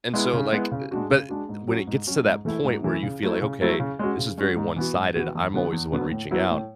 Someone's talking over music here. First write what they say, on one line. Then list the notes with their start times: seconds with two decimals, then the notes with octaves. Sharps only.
And so, like, uh but when it gets to that point where you feel like, "Okay, this is very one-sided, I'm always the one reaching out."
0.14 G#3 B3 E4
0.33 C#3
0.53 G#3 B3 E4
0.72 C#3
0.91 G#3 D4 F#4
1.10 C#3
1.29 G#3 D4 F#4
1.49 G#2
1.68 F#3 C#4 F#4
1.87 G#2
2.07 F#3 C#4 F#4
2.25 G#2
2.45 E3 A3 E4
2.64 G#2
2.84 E3 A3 E4
3.03 C#3
3.23 F#3 A3 E4
3.42 C#3
3.61 F#3 A3 E4
3.79 C#3
3.99 G#3 C#4 F#4
4.18 C#3
4.38 G#3 C#4 F#4
4.57 G#2
4.76 E3 B3 F#4
4.95 G#2
5.15 E3 B3 F#4
5.35 E2
5.54 D3 F#3 B3
5.72 E2
5.93 D3 F#3 B3
6.12 A2
6.31 F#3 B3 E4
6.50 A2